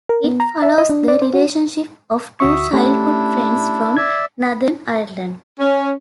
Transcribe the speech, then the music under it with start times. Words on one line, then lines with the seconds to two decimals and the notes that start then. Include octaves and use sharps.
It follows the relationship of two childhood friends from Northern Ireland.
0.09 A#4
0.24 B3
0.40 A#5
0.62 E5
0.78 D#5
0.90 D4
1.08 D5
1.22 C5
1.34 F#4
2.40 D2 F#4 E5 C#6 D#6
2.73 A3 C#4 D4 E4 G4
3.97 D5 E5 G#6
5.60 C#4